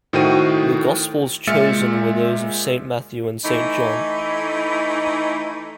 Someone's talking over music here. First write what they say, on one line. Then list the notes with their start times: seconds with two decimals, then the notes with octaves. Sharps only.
The gospels chosen were those of Saint Matthew and Saint John.
0.13 A2 D#3 F#4 C5 G5 D#7
1.47 A#2 G#3 E5 F6 A6 C#7
3.44 E3 A3 D#4